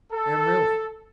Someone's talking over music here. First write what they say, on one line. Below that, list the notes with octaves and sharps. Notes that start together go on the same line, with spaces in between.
Am really.
A4